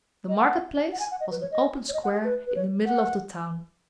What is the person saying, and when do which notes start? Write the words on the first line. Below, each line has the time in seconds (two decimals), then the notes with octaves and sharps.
The market-place was an open square in the middle of the town.
0.29 D#5
0.38 F#5
0.92 F#5
1.00 G#5
1.11 F#5
1.20 D#5
1.31 B4
1.42 C#5
1.52 D#5
1.89 C#5
1.94 D#5
2.04 F#5
2.14 G#4
2.24 B4
2.47 B4
2.56 C#5
2.86 F#5